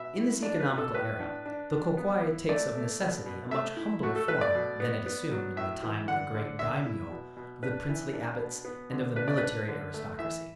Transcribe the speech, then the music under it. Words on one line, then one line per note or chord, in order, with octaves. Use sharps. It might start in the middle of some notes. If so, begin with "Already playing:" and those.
In this economical era, the Ko-kwai takes of necessity a much humbler form than it assumed in the time of the great daimyo, of the princely abbots, and of the military aristocracy.
Already playing: B2 E5
E4
D4 D5
B4
B2
A4
A2 B4
D4
D4
D4
B3
E4
A3 D5
A3
B2
B2
A3 E5
E4
A3 F#4
A4
A3 B4
D5
B2
B3
B3
F#3
A2 E5
E3
D3 F#5
D3
D3 E5
E4
B2
B2
D4 B4
E3
D4
B2
B3
D3
D4 B4
D5
B4
D4
D3
A3
E3 E5